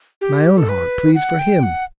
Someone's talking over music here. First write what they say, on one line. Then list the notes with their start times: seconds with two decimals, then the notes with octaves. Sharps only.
My own heart pleads for him.
0.21 G4
0.57 A4
0.69 B4
1.15 F#5
1.39 G5
1.63 F#5